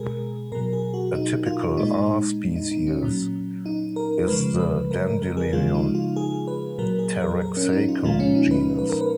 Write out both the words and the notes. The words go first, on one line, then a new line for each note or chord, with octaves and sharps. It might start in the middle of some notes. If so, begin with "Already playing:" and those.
A typical "r" species is the dandelion "Taraxacum" genus.
Already playing: B2 G#3 G#4 A#4
B2 F#3 A#4
G#4
F#4
D#4
F4
A#2 G#3 D#4
D#4
D#4
C#4
A#2 F#3
D#4
A#4
C#3 F3 G#3 B4
B4
A#4
A#4
A#4
G#4
C#3 F3 G#3 F4
D#4
F4
G#4
B4
A#2 F#3 A#4
G#4
A#4
A#4
C#4
D#4
F4
A#2 F3 G#3 F4
C#4
D#4
B4
B4
A#4
B4